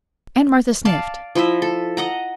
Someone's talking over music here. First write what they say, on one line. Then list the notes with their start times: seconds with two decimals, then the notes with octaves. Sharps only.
Aunt Martha sniffed.
0.85 D5 F5 A5
1.35 F3 E4 D#5 E5
1.62 A4
1.97 D#5 F#5 A#5